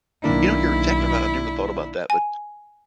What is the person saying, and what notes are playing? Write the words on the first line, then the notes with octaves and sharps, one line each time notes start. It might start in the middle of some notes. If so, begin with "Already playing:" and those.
You know, you're exactly right, I've never thought about that, but
B1 D#3 A#3 D4 E4
G#5